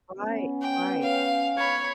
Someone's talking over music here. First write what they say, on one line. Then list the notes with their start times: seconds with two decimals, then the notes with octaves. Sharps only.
Right, right,
0.18 B3 C#4
0.62 G5
1.01 F5
1.58 C#5 B5